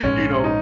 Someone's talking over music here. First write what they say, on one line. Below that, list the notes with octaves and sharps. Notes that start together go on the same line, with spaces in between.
you know
A#1 G#2 G#3 C#4
D#4